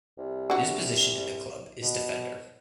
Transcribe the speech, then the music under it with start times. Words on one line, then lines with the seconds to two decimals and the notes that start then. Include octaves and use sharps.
His position in the club is defender.
0.18 C2
0.50 D3 F#4
1.82 B2